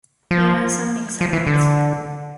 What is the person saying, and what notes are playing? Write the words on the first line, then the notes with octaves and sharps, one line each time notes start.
Here are some examples.
F3
F3
E3
D3